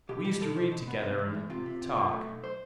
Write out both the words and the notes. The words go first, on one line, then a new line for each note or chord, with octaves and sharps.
We used to read together and... talk.
B2 G4
G3 G4
B2 A4
B2 C5
B2
B3
C3
E2
E2
C3 F4
C3
C3
B2
A3
B1
C5